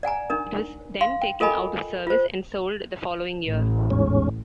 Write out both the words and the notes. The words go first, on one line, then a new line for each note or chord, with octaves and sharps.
It was then taken out of service and sold the following year.
D5 F#5 G#5 A#5
D4 D#4 A#4
F5 C6
G5
F4 A4 A#4 D#5 G#5 B5
F4 C5
A1
E2 G#2 C#4